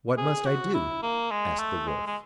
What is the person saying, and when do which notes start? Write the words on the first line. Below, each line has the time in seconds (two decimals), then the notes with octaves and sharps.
"What must I do?" asked the Wolf.
0.18 G#4
0.46 F#4
0.74 E4
1.02 A#3
1.31 G#3
1.59 A3
1.88 G#3
2.07 G#3